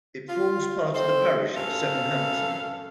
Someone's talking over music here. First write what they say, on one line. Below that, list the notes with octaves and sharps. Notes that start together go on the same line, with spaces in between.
It forms part of the parish of Sevenhampton.
F4
C4 A4 C5
F#2 A2 A4 B4 F5